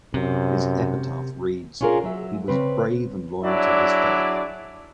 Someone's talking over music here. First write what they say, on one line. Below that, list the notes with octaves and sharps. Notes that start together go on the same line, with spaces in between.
His epitaph reads, He was brave and loyal to his faith.
F#2 C3
C#4 D4 F4 G#4 A#4
F#3 E5
C#3 C4 B4
F#3 D4 E4 G#4 D5